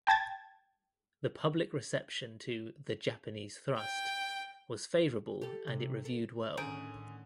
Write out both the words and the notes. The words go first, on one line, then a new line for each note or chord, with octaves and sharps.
The public reception to "The Japanese Thrust" was favourable and it reviewed well.
G5 A5 G#6 A6
G5
G4 A4
C3
A4
A2 D3 D#3 C#4 G#4 A#5 G6 D7